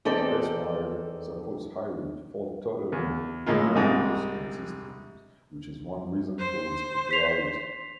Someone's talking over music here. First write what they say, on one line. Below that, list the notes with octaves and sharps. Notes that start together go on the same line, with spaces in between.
SpaceWire supports highly fault-tolerant networks and systems, which is one reason for its popularity.
E2 C4 D#4 A4 D5
E2
A2 G#3 A#3 F4
C2 G#2 C3 G#3
C5
B6 C7 F7